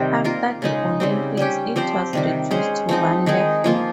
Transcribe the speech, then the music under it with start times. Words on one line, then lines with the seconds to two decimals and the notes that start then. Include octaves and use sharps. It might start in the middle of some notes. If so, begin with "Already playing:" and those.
After the Olympics, it was reduced to one level.
Already playing: C3 D#3 G3 C4
0.24 A#3 F4 A#4
0.62 C#3 G#3 D#4
1.00 C#3 G3 C4
1.37 G3 C#4 G4
1.76 F3 C4 G4 C5
2.13 C3 D#3 G3
2.51 G#3 C#4 G#4 C5
2.89 F3 C4 D#4
3.26 D#3 G#3 D#4 G#4
3.64 F3 A#3 F4